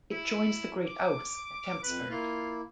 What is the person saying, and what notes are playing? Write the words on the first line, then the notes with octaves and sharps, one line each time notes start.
It joins the Great Ouse at Tempsford.
E4
D6
F2 B4
A#3 E4 F4